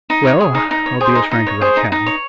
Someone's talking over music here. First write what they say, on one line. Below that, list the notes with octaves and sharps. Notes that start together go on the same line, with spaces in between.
Well, I'll be as frank as I can.
D#4
C#5
G#4
D#4
D#4
C#5
G#4 C5
D#4
D#4
C#5
G#4 C5
D#4
D#4
C#5